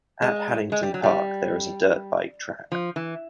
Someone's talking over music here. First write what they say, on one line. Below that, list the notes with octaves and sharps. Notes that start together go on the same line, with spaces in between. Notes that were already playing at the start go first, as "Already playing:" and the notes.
At Haddington Park there is a dirt bike track.
G#3
G#3
G3
F#3
G3
F3
E3